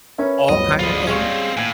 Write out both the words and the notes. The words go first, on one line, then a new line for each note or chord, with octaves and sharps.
all kinda things?
C#4 A#4 B4 C#5 E5 B5
D1 G1 D#5
D3 F3 F4 G#4 D#5 B5
G3 G#3 C4 C#4 C#5 D#5 F5
D#2 A2 C#4 F5 G#5 G#6